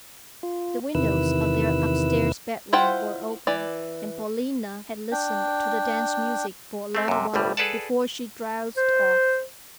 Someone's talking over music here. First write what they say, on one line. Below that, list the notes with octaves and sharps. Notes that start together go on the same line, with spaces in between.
The windows of their upstairs bedroom were open, and Paulina had listened to the dance music for a long while before she drowsed off.
F4
E2 C3 D#3 E4 B4 E6
E4 F4 C5 F#5 G5
E3 D5
D4 G5
A3 C4
F#2 C3
G1 C2 A2 G3
G#4 A4 B4 D5 F#5 A5
C5